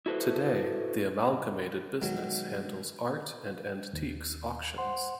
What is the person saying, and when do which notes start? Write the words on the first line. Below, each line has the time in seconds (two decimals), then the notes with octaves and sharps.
Today, the amalgamated business handles art and antiques auctions.
0.06 E4 F#4 A4 B4 C5
2.02 B2 D#3 F#3 G#3
3.93 D#2
4.78 C5 F#5 C6